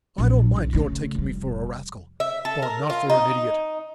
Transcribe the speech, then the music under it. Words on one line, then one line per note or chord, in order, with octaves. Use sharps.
I don't mind your taking me for a rascal, but not for an idiot.
A#1 F#3
C2 F#2
C#3 A3
F1 G3
E5
A4
A#4
F4
D#4